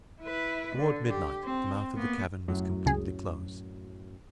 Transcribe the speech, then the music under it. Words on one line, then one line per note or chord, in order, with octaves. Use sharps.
Toward midnight the mouth of the cavern was completely closed.
E4 B4
D3
G4
C4
A#3 B3
F#2 A2 F#3
C#2 G#4